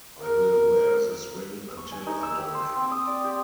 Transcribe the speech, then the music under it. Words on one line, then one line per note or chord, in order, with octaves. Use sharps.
I will wear this ring until I die.
A#4
C#6
G#5
D#4
E6
G4
C5
C4
D#6
D5
G4